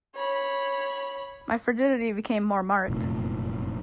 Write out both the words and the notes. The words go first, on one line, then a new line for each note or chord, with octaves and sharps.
My frigidity became more marked.
C#5 B5
F1 F#2 A#2 A3